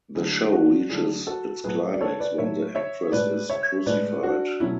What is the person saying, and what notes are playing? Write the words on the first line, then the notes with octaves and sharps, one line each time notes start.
The show reaches its climax when the actress is "crucified".
D3 F#3 A3 E4 G#4
D4 F#4
D3 F#3 A3 E4 G#4
F#4 A4
A2 F#3 A3 G#4 B4
D5
A4 C#5
B4 D5
A2 F#3 A3 C#5 E5
C#5 E5
A2 G#3 B4 D5
C#5 E5
A2 G#3 B4 D5
D4 F#4
B2 F#3 A3 C#4 E4